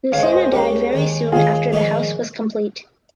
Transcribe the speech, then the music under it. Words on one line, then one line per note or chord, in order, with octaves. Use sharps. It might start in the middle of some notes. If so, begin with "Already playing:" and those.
Lucena died very soon after the house was complete.
C#2 C#3 G#3 C#5 F5
C5 D#5
C5 D#5
C5 D#5
C#2 C#3 G#3 G4 A#4
D#2 D#3 G#3
D#2 D#3 G#3 F4 G#4
A#1 G#2 D#3 G#3 D#4